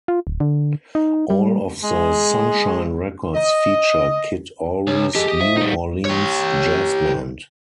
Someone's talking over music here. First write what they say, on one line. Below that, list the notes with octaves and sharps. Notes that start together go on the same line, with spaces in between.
All of the Sunshine Records feature Kid Ory's New Orleans jazz band.
F4
D1
D3
D#4
G3
G#3 G#4
D#5
C#2 C#4
F3 G#3 G4 A4
D#5
F3 E5
G3 D#4
G4 C#5